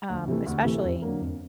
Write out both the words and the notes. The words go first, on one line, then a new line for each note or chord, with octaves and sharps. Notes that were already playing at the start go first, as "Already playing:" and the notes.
um, especially
D2
C3 E3 A3
D2
C3 E3 A3
F2
D3 F#3 A#3
F2